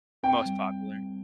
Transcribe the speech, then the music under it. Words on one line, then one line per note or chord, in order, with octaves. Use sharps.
the most popular.
C4 G5
G3